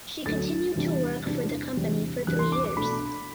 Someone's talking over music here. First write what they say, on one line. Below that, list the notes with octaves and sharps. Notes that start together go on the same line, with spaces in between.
She continued to work for the company for three years.
D2 D3 F#3 A3 A6
E2 C3 E3 G3 D4
E2 C3 E3 G3 D4
E2 C3 E3 G3 D4
E2 C3 E3 G3 D4 F#6
C6
D6
D6
B2 A3 D4 B5